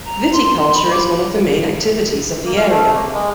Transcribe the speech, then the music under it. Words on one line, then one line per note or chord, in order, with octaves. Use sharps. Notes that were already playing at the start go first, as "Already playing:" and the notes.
Viticulture is one of the main activities of the area.
A#5
C6
C6
B5
D6
A#3
F5
A3
A#3
G#3